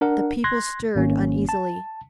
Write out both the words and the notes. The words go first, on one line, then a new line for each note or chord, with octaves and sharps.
The people stirred uneasily.
D4 A#4 F#5
C6 F#6 G#6 A#6
G#1 A#3 C#4
A5